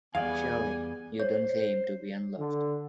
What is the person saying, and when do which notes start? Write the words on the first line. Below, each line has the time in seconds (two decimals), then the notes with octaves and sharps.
Surely you don't claim to be unloved!
0.15 E2 E3 G3 B3 G#4 D5 F5 G#5
1.20 C5 C#5
2.38 D3